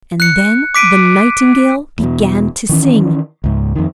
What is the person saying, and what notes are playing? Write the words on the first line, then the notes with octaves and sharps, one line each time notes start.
And then the Nightingale began to sing.
F#6 C#7
D6 B6 D7 D#7
E2 B2
D#3 E3 C#4
C#2 G#2
F2 D#3